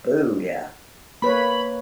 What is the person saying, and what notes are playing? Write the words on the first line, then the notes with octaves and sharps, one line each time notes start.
Ooh, yeah.
A#3 B4 C#5 B5